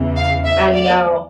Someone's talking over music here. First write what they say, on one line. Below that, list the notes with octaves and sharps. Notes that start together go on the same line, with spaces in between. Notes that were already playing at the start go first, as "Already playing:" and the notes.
I know.
Already playing: E2 C#3 E3
F5
E5
D5